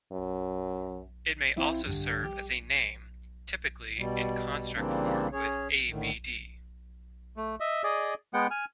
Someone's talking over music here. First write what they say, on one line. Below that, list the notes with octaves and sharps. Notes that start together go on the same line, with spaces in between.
It may also serve as a name, typically in construct form with "abd".
F#2
C4 E4 E5 F5
G2 D3
G4
B2 G3
C#3 E3 G3 A#3 C4 D4
C#4 G#4 C#5
A2 D3 D#3
A3
D#5 E5
G#4 D5 D#5
G#3 B3 F#5 G5
G#5 F6